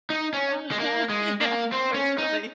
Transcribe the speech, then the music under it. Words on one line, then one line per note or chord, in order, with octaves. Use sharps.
Uh-huh, yeah, it was really
D#4
C#4
G#3
A#3
G#3
A#3
C4
C#4
D#4